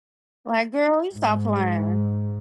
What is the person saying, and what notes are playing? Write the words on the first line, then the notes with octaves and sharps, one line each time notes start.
Like, "Girl, you stop playing."
G#2